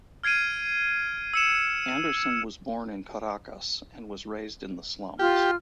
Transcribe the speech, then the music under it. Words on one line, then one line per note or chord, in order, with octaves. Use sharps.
Anderson was born in Caracas and was raised in the slums.
F6 G#6 C7 D7 D#7
E6 C#7 E7
F4 G4 F6